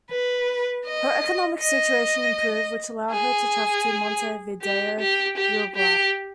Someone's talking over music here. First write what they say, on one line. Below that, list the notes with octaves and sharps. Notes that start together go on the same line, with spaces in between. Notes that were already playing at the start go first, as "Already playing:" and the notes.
Her economic situation improved, which allowed her to travel to Montevideo, Uruguay.
B4
D#5
D#5
G#4
G4
G4
G4
G4